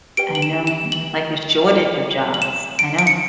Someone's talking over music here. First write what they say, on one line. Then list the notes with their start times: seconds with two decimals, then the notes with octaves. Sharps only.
I know, it's like a shortage of jobs, I know.
0.17 G4 B4 D5 G5 D7
0.35 F#7
0.42 E7
0.67 E7
0.92 F#7
1.67 A4 C#5 G5
2.34 F#7
2.42 E7
2.79 D7
2.99 D7
3.07 C#7